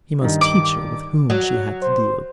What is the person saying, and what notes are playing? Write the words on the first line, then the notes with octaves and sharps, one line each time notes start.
He must teach her with whom she had to deal!
G2 D#3
D6
F#3
C5